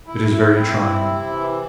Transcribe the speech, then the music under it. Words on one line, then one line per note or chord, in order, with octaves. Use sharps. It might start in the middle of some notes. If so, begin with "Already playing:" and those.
It is very trying.
E4
E4
C4
E4
C3
E3